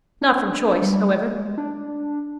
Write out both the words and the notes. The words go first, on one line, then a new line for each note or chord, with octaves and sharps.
Not from choice, however.
D4
G3
G#3
D4